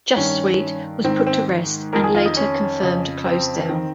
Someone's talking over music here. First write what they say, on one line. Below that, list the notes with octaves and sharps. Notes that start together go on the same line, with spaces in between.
"JustSweet" was put to rest, and later confirmed closed down.
G2 D#3 C#4
G#2 D#3 C4
C4
F2 D#3 A#4
G#4
F4
D#4
C#4
F2 C#3
C4
D#3